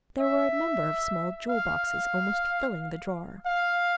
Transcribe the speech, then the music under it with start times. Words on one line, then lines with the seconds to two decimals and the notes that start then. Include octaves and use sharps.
There were a number of small jewel-boxes almost filling the drawer.
0.20 E5
1.50 F5
3.46 F5